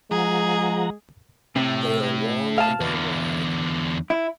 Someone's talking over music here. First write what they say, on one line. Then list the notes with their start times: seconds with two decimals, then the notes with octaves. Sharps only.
They are long and are wide.
0.11 F3 G#3 G#4 F#5 A#5
1.56 A2 C3
2.58 F5 A5
2.81 E2 D3
4.10 E4